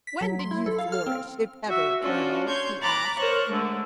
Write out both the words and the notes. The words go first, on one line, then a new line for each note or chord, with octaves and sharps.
"When did you flourish, if ever, colonel?" he asked.
B6
F#3
C6
E4
A4
F5
F6
C4
F#4 E5
C#4 D4 F4 F#4
C#5 C6 G6 G#6
A#5 B5 D6 F#6 A6
A#4 C5 C#5 C#6 F#6
D3 G#3 A3